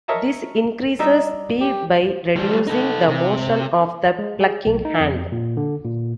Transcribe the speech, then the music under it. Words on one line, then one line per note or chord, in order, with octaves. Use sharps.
This increases speed by reducing the motion of the plucking hand.
A#4 C#5 D#5 E5 A5 A#5
G3 D#4 E5
G4
F3 G3
D#4 A4
C3
G#3
G#4
B1
D#4
F2
A#2
D3
A#2